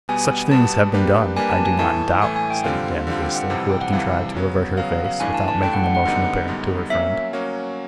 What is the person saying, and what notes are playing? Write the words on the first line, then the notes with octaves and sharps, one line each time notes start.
"Such things have been done, I do not doubt," said Madame Goesler, who had contrived to avert her face without making the motion apparent to her friend.
B2 G3 B3 G#5
B2 G3 B3 A5
G3 A#3 D4 G4 B4
G3 A#3 D4 G4 B4 G#5
A5
G#5
A2 E3 A3 A5
A2 E3 A3 G#5
G#5
G5
D3 G3 C4 F4
D3 G3 C4 F4
G5
F#5
F2 C3 E3 G3
G5
F#5
F2 C3 E3 G3 F5
C#3 F#3 B3
C#3 F#3 B3 F5
F5
F5
G2 E3 A3 D4 G#5
A5
A5
G2 E3 A3 D4 G5
F#5
F#5
F#5
F#2 D3 G3 B3 D#4 F#5
F#2 D3 G3 B3 D#4
F#3 A#3 C#4 E5
F#3 A#3 C#4